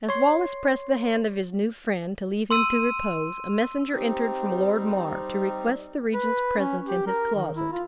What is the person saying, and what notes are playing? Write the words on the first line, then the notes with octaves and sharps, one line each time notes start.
As Wallace pressed the hand of his new friend, to leave him to repose, a messenger entered from Lord Mar, to request the regent's presence in his closet.
C#5 C6
C6 E6 D#7
G3 C4 D#4
B4
C#4
G4
A#4
D#3
E4
F4